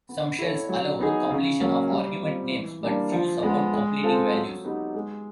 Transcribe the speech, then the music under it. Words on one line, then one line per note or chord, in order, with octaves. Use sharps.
Some shells allow completion of argument names, but few support completing values.
B3
E4 A4 C#5
F#3
B3 D#4 G#4
C#3
F#3 A#3 C#4
G3
C4 F4
E3
G3 A#3 D4
F3
G#3 B3
G#3
C4 F4 A4
F#3
B3 D#4 G4 B4
G#3